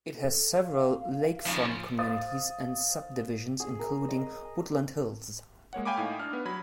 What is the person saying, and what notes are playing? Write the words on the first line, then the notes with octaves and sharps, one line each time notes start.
It has several lakefront communities and subdivisions, including Woodland Hills.
A4
F5
C#3 F3
C5 F5 D#6 A6
G#4
A#4
D#5
G#3 A#3 C#5 F#5
F5 G5 G#5 B5 D6
A2 D#4
D4 F6
B3
F#3 B5 G#6